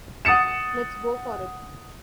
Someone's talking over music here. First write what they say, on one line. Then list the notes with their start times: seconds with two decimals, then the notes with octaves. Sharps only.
Let's go for it.
0.25 F#5 D#6 A6 C#7 E7